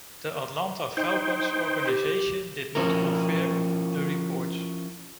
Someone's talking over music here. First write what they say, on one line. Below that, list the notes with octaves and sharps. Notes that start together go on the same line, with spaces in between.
The Atlanta Falcons organization did not confirm the reports.
D#4 C5 G5
G4
F3 C#4 E4 A#4